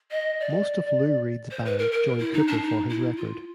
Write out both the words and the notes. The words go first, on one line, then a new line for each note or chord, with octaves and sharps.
Most of Lou Reed's band joined Cooper for this record.
D#5
D5
C5
B4
A#4
A#4
E4
D#4
D4
D#4
E4
F4